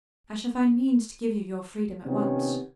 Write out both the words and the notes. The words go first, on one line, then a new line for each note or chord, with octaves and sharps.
"I shall find means to give you your freedom at once."
C3 D#3 F3 B3 C#4